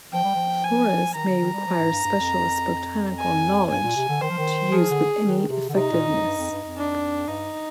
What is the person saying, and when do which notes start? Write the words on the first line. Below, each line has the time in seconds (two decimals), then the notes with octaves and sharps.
Floras may require specialist botanical knowledge to use with any effectiveness.
0.13 F3 G5
0.24 G3
0.35 F3
0.64 G#5
1.15 D#3 A#5
1.28 D3
1.41 D#3
1.53 G3
1.66 F3
1.79 G#2
1.91 G2
2.04 G2
2.17 F2
3.19 G#5
3.70 G2 G#5
3.83 A#2
3.96 C3
4.09 D3
4.21 D#3 C5
4.30 F3
4.38 D#3
4.72 F3 G#4
4.90 D3
5.24 D#3
5.49 C3
5.69 D3
5.74 C3 D#4
5.91 A#2
6.09 F2
6.25 G2
6.38 F2
6.51 G2
6.64 F2
6.76 D4
7.28 G2 D#4